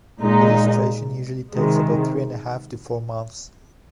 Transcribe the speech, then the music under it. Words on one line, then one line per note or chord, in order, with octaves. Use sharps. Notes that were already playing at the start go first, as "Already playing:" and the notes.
Registration usually takes about three and a half to four months.
A#2 G#3 D#4
C3 D#3 G#3